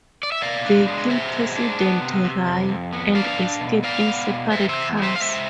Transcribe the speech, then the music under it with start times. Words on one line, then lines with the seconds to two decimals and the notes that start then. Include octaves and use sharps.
They kill President Rai and escape in separate cars.
0.23 D5
0.32 E5
0.42 B2 D5 F5
0.65 D4
0.87 G#3
1.10 B2 C5 E5
1.33 G#3
1.56 D4
1.79 B3
2.01 C3
2.24 C3
2.47 F2
2.69 F2
2.93 B3
3.15 D4 D5 F5
3.38 D4
3.61 B2
3.83 B3 D5 F5
4.06 B3
4.29 B2
4.51 E2 C5 E5
4.69 C5 E5
4.75 E2
4.97 G#3
5.03 C5 E5
5.16 F5
5.20 G#3 C5 E5